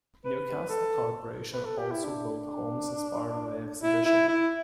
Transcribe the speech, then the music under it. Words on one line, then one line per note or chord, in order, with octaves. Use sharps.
Newcastle Corporation also built homes as part of the exhibition.
B4
A4
B4
A4
G4
E4
D4
E4
E4
E4